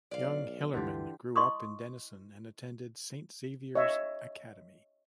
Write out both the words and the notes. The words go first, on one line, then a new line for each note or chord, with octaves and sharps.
Young Hillerman grew up in Denison and attended Saint Xavier's Academy.
B1 D5 F5
D2 G2 D3 E3 F4 G4
E4 D#5 C6 C#6 D#6
C#5 D#5 E5